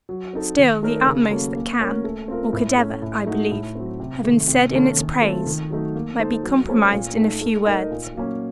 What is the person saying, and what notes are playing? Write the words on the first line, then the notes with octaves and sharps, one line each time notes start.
Still the utmost that can, or could ever, I believe, have been said in its praise, might be comprised in a few words.
F#3
C4 D#4 A4
D#3
A3 D#4 A#4 C#5
C#3
F#3 A#3 C#4 A4
A#3
C#4 F#4 A#4
A3
C4 F4 A#4
A2
A3 C#4
A2
A3 D#4 F#4
A2
F#3 C4
C3
D#3 A3
C3
D#3 A#3 C#4 A4
D#3
A3 C4 F4 A4
D#3
F#3 A3 D#4
A#3
D#4 A4 C5
F#3
A3 C#4 A4 C5
A#2
A3 D#4
A3
D#4 A#4 D#5
A#2
F#3 A#3 C#4